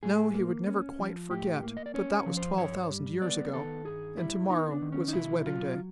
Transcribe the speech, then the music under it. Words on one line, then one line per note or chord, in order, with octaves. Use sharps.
No, he would never quite forget, but that was twelve thousand years ago ... and to-morrow was his wedding day.
A2 G#4
A#3
C#4
F3
A2 G4
A#3
D#5
D5
C#4 C#5
C#5
F3
C5
G2 C#5
G3
B3 D5
D#3 A4
G2 G#4
G3 E4
B3 D#4
D4
D#3
C#4
D#4
B1 E4
F#3 F4